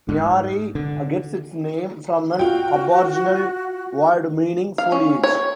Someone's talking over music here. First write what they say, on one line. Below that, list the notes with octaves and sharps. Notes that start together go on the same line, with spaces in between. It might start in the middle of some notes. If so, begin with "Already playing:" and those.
Myaree gets its name from an Aboriginal word meaning foliage.
G#2
D3
F4 F#4 G5
F5
C#4
C#5